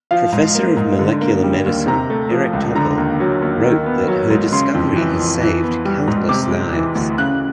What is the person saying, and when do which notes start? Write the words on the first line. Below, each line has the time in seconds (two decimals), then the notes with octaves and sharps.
Professor of molecular medicine Eric Topol wrote that "her discovery has saved countless lives".
0.11 F3 F5
0.32 G#2
0.55 A#3
0.77 G#2
0.99 D3
1.21 A#3
1.43 G3
1.66 D#2
1.87 C3 A#5
2.10 A3
2.31 F3
2.53 C#2
2.75 D3 A#5
2.98 D#2
3.20 F#3
3.42 D#2
3.64 D#3
3.86 B3
4.08 F#3
4.30 G#2
4.52 C#3 C6
4.74 F2
4.96 E3
5.19 F2
5.41 E3
5.63 B3
5.85 G3
6.07 G#2
6.29 C3 D6
6.51 G#3
6.73 E3
6.95 D2
7.18 C#3 F#6